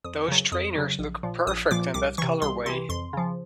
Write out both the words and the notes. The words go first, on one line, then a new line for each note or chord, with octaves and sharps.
Those trainers look perfect in that colorway!
F2 D#6
C#3 F#3
F2 D#6
C#3 F#3
A#1
A#2 F3
A#1 D#6
A#2 F3 D6
C2 D6
C3 E3 C#6
C2 C6
C3 E3 C6
F2 C6
C#3 F3